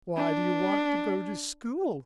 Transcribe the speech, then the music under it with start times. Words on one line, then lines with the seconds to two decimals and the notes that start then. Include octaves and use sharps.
Why do you want to go to school?
0.17 D4